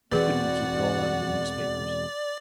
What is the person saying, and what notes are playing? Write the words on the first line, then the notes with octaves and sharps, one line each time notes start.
"Why couldn't you keep it all out of the newspapers?"
E1 E3 C4 F#4 G#4 B4 D5 F#5